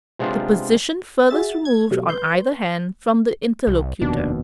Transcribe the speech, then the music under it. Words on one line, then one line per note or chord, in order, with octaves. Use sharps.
The position farthest removed on either hand from the Interlocutor.
C3 G#3 B3 D4 F4 C5
F#4 G#4 E5 A6
G#6
B2 F#3 G3 A3
B4 C6 G6
C2
F1 D#2 B2 D4